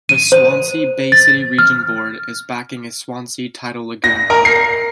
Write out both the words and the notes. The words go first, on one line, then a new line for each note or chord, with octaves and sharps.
The Swansea Bay City Region Board is backing a Swansea Tidal Lagoon project.
D#7
C5
A6
F6
A#6
A#4
C7